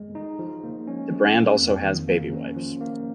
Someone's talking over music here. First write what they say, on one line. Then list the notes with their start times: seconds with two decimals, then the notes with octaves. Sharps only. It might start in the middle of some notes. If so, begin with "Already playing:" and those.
The brand also has baby wipes.
Already playing: G#3
0.15 D#4
0.39 F3
0.64 A#3
0.87 C#4
1.11 F3
1.35 A#3
1.60 F2
1.83 D#3
2.08 A#3
2.32 C#4
2.56 F3
2.81 A#3